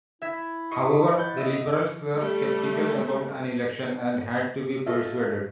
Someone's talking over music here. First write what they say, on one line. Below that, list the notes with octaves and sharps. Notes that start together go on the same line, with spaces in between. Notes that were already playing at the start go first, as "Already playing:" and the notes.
However the Liberals were sceptical about an election and had to be persuaded.
E4 E5 G#6 B6
D#5 C#6 C7
F#5 G6 A6
D#5 E5
G3 A3
F4 A4 D#5 E5